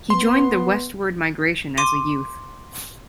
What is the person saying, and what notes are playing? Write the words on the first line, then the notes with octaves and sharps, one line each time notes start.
He joined the westward migration as a youth.
B3 C6
C6 D6 D#7